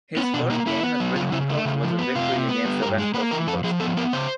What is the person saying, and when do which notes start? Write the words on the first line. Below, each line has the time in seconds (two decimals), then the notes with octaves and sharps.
His first game as Richmond coach was a victory against the West Coast Eagles.
0.17 B3 C#4
0.34 B2 D4
0.50 A#3 D#4
0.66 A#3 E4
0.83 B3
1.00 F#3
1.16 C#3 F4
1.32 C#3 E4
1.49 A3
1.65 C#3
1.83 F3
1.99 B3
2.15 C3 F4
2.32 C3
2.49 B3
2.65 G3
2.82 G2 A#4
2.98 G#3
3.14 A#3 B4
3.31 E3 A#4
3.47 F2 A4
3.64 F3 G#4
3.80 B3 A4
3.97 B3 A#4
4.13 C#3 C5